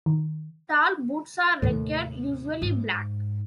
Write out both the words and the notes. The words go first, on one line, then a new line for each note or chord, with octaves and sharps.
Tall boots are required, usually black.
D#3
D#2 A2 C3
G#2